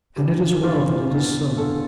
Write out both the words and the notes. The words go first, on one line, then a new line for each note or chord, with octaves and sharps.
And it is well that it is so.
G2 E3 G4
G2 E3 F4
E2 D3
E2 D3 A4